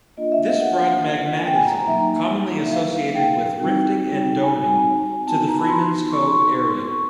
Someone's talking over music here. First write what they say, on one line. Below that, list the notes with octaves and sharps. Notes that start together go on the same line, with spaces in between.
This brought magmatism commonly associated with rifting and doming to the Freemans Cove area.
A#3 D4 F4 D#5
E5
F5
F#5
G5
G#5
A#5
A#5
F#3 A#3 D#4 E5
F5
G5
G3 C4 D#4 F#4
G#5
B3 D#4 F#4 A5
A5
A#5
B5
C6
C#6
C6
C#6
C#6
C6
C#6